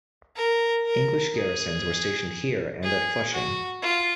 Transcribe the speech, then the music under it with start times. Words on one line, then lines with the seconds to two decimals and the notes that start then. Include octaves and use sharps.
English garrisons were stationed here and at Flushing.
0.36 A#4
0.86 A#4
1.36 G#4
2.83 G#4
3.33 F#4
3.83 F4